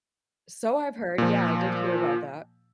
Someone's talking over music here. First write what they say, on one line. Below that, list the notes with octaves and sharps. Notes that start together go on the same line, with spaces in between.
So I've heard, yeah, I did hear about that.
A#2 F3